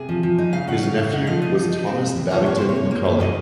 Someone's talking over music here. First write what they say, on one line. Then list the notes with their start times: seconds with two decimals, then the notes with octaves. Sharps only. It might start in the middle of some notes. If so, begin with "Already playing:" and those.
His nephew was Thomas Babington Macaulay.
Already playing: C3 G#4
0.09 F3
0.23 F3
0.38 D#4
0.53 C#3 F5
0.68 C#4 F#5
0.83 C#3 F5
0.98 C#3
1.13 D#4 F#5
1.27 F3 F5
1.42 D#4 D#5
1.57 F3
1.72 D#4
1.87 C4
2.01 C4
2.17 C3
2.31 F3 C#5
2.46 A#3 C#5
2.57 C3 C5
2.69 C#5
2.76 A#3
2.91 A#3
3.06 F#2
3.20 A#3 D#5